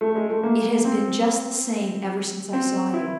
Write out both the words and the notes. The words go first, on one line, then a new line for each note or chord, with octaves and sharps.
It has been just the same ever since I saw you.
A3
G#3
A3
A#3
C4
C4
E4